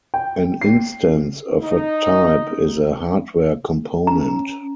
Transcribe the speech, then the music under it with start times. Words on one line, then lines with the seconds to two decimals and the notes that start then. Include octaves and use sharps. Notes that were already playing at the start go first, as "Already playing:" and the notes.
An instance of a type is a hardware component.
0.14 G5
0.61 C7
1.61 D#4
4.07 C#4 A#5